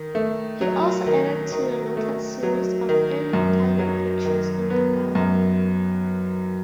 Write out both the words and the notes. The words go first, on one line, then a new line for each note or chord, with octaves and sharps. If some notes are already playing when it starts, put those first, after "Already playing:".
He also added to the noted series of Early Italian pictures in the gallery.
Already playing: D#3
A3
F#3
D#3
D#3
A3
F#3
D#3
F#2
F#3
D#3
B3
F#2